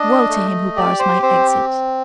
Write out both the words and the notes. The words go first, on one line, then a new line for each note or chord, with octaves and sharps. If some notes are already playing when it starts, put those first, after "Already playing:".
Woe to him who bars my exit!
Already playing: D4 D#5
A3
G4 D5
C5
C4 C5